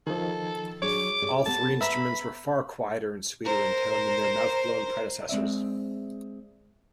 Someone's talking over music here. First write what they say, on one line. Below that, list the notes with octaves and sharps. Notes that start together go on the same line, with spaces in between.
All three instruments were far quieter and sweeter in tone than their mouth-blown predecessors.
D#3 F3 A4
F#3 D4 G#4 C#5 D6
G4 G#4 D5
B3 G4 A4 A5
B3 B4 E5 A#5 B5 E6
A#4 C5
G#3 C4 D5 E5